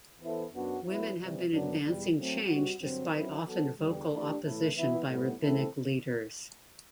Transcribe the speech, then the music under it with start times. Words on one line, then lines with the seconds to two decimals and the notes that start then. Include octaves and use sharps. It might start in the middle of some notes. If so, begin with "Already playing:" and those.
Women have been advancing change despite often vocal opposition by rabbinic leaders.
0.21 E3 B3 E4 A4 C5
0.53 F#2 F#3 B3 D4 F#4
0.85 F#3 B3 E4 B4
1.18 C3 E3 G3
1.51 F#2 D3 F#3 B3 D4
1.83 E2 B2 G3
2.16 F#3 A3 C4
2.48 G3 C4 F#4
2.80 G2 D3 F#3 C4
3.13 F#3 C4 E4 B4
3.45 F#3 B3 F#4 A4
3.78 E2 D3 G3
4.10 E3 A3 D4 G4
4.43 A2 E3 A3 E4 A4
4.75 E3 B3 E4
5.07 A2 G3 B3
5.41 E3 A3 C4 E4 A4